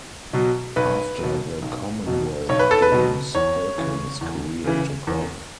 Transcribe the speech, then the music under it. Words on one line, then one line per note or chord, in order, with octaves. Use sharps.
After the Commonwealth Games, Perkins' career took off.
B2 F#3
B1 B4
B2 F#3
B1
B2 F#3
B1 C#5
B4
A4
B4
B2 F#3
E2 C#5
C#3 E3
E2
C#3 E3
E2